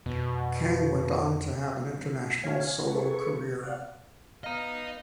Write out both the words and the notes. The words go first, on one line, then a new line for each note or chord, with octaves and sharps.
Kang went on to have an international solo career.
F2 B2
C#5 F5 G#5
G#4 A4 B4 C#6
D5 F5 F#5
B3 D#5 F5 A#5